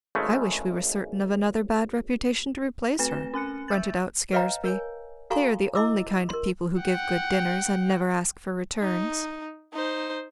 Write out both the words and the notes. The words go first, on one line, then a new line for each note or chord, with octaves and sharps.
"I wish we were certain of another bad reputation to replace her," grunted out Scaresby; "they are the only kind of people who give good dinners, and never ask for returns."
G#1 C#3 G#3 A3
A3 C4 B4 A#6 E7
C#4 G#5 F#6 C#7
E5 E6 G6 A6
B4 C#5 D#5 F5 G5 A#5
A#4 C#5 G#5
F#4 A4 F5 G#5 A#5 C#6
E4 D#5 D6 E6
A#4 C6
F#5 G5
D#4
D#4 C5